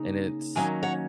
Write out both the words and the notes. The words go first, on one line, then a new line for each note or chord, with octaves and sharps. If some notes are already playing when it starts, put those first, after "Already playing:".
And it's
Already playing: C#3 A#3 D#4
D#3 F#3 A#3 C#4 D#5 G#5
C#5 F#5